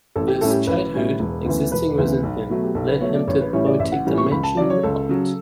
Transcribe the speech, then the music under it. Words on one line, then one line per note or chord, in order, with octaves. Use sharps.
This 'childhood,' existing within him, led him to the poetic dimension in art.
A1 A4
G4
A2 G3 C#4 A4
G4
A4
A1 B4
A2 G3 C#4
E1
D2 C#3 E3 B3
E1 B4
D2 C#3 E3 B3
B1
B2 F#3 A3
G4
B1 A4
B4
B2 F#3 A3 C#5
D5
A1 C#5
B4
A2 E3 G3 C#4 C#5
D5
A1 E5
F#5
A2 E3 G3 C#4
C#6
C#2 B5
A5
C#3 F#3 D5
C#5
C#2 A4
C#3 F#3